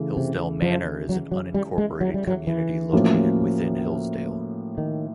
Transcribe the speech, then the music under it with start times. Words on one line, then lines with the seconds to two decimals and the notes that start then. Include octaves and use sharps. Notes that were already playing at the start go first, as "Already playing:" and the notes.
Hillsdale Manor is an unincorporated community located within Hillsdale.
Already playing: C#3 E3 A3
0.17 C3
0.62 F3
1.09 F#3
1.32 F#3
1.54 G3
1.78 G#3
2.01 F#3
2.14 G3
2.27 F#3
2.47 E3
2.93 A2 F3 A#3 C#4 F#4
4.78 D#3